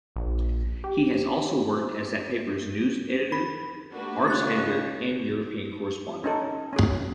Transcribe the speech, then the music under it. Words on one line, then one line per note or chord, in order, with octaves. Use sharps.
He has also worked as that paper's news editor, arts editor and European correspondent.
A#1
G4
B5
A3 A#3 D4 F#4 G4 B4
C#2 C#6 F#6 A6
C#4 D#4 A4
C#4 G#4